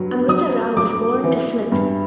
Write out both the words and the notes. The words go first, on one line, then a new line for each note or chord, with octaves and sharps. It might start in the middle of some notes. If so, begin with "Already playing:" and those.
Amrutha Rao was born to Smt.
Already playing: G2 F#3
F#3 D#6
F#3 D6
E3
G2